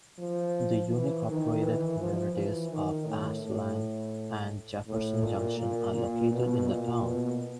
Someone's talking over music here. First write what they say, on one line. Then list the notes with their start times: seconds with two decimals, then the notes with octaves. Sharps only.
The unincorporated communities of Aztalan and Jefferson Junction are located in the town.
0.19 F3
0.90 E3
1.27 D#3
1.62 E3
1.98 F3
2.35 E3
2.71 D#3
3.06 A2
3.43 A2
4.87 A2
5.23 A#2
5.58 A#2
5.95 A#2
6.31 B2
6.67 A#2
7.03 B2